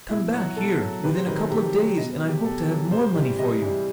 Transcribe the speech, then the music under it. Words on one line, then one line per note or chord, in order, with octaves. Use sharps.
Come back here within a couple of days and I hope to have more money for you!
B2 E4
F#3 F#4
B2 A4
F#3
C3 B4
C5
D#3 F#3 B4
A4
C3 G4
D#3 F#3
B2 D#5
B4
F#3
G4
B2 A4
F#3
C3 C5
E3 G3
C3 D#5
E3 G3